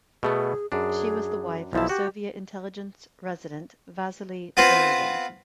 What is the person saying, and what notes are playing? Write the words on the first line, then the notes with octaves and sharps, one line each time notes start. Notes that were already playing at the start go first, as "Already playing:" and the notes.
She was the wife of Soviet Intelligence Resident Vasily Zarubin.
B2 A3 B3 G#4
F#2 D4 G#4
B1 F3 E4 A5
F#4 G4
B3 C4 F4 B4 C5